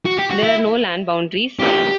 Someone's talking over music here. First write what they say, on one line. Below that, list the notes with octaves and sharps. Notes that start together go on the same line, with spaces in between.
There are no land boundaries.
F#4
G4
F#4
E4
G4